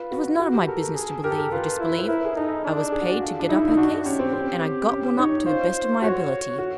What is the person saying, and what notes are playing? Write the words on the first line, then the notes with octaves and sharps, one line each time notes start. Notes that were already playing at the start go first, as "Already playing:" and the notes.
It was none of my business to believe or disbelieve: I was paid to get up a case, and I got one up to the best of my ability.
Already playing: F4 B4
F#4
F#4
G4
A4 A#4
G#4
G4 A#4
A4
A#4
F4 B4
E4
B4
C5
E4 A#4
G#4
D#4 A4
D4
G#4
F#4
F#4
F4
D4
D#4 E4
D#4
D4 F#4
C#4 G4
C4
C4
C#4
C#4
D#4 C#5
F4 C5
F#4 C#5
F#4